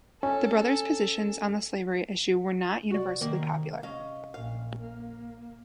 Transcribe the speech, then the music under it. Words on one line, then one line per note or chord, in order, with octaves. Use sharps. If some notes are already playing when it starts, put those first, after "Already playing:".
The brothers' positions on the slavery issue were not universally popular.
C#4 A4 G#5
C3 F#4 D5
D#3 A#3
C#4 D#5 F5
A#1 A#2 F5
A#3